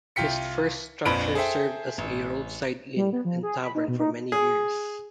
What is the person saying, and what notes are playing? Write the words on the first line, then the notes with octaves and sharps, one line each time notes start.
His first structure served as a roadside inn and tavern for many years.
C2 F4 G5 B6 C#7
A#1 F2 D4 B4 B5 D7
G#4 A4 C5 E5 G5
A1
G3
B3
F3
G#4
B5
D#4
B2
D#4
G#4